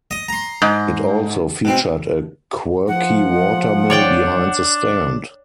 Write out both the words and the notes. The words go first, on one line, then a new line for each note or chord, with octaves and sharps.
It also featured a quirky watermill behind the stand.
D#5 D#6
A#5 C6
G#2
B2 C4
F3 F#5
D4 C#5 D5 G5